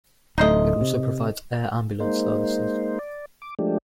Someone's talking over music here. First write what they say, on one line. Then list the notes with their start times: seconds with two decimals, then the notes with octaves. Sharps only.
It also provides air ambulance services.
0.38 D1 A3 D#4 C5 D#5
0.81 C3
2.00 G#3 A#3 D#4 C5
2.99 D5
3.42 D6
3.59 F3 G#3 A3 D4 G4